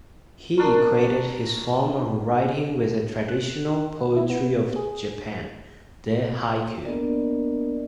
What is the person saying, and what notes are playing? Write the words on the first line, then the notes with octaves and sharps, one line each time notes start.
He equated his form of writing with the traditional poetry of Japan, the haiku.
D4 A#4 C#6
F#6
E4
B3
G#4
A#3 B3 D4 A#4 D5 D#5